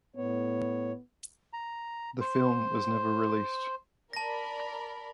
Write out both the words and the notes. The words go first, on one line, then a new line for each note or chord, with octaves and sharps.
The film was never released.
A2 B3 C#5
A#5
C5
A#4 D5 A5 B5 A#6